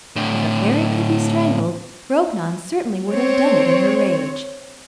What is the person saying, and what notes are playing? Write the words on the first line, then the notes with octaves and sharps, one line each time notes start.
If a fairy could be strangled, Grognon certainly would have done it in her rage.
A2 D3
C4 C#5